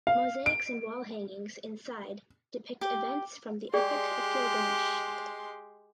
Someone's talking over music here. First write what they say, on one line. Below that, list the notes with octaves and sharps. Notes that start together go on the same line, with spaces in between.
Mosaics and wall hangings inside depict events from the Epic of Gilgamesh.
F5
D7
G4
G#3 G4 G#4 D5 G5 C6